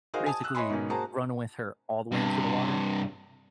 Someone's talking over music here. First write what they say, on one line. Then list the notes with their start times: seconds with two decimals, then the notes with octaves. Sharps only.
basically run with her all the way into the water,
0.14 D#4 F#4 G#4 A#4 C5 F5
0.26 G#5 A5 D#6
0.43 D#6 E6 F#6
0.55 C#5 D#5 E5 G#5 B5 C6
0.70 G#2 B2 D#3 C#4
0.90 A#3 F#4 G#4 C5 A5 A#5
2.12 G2 C3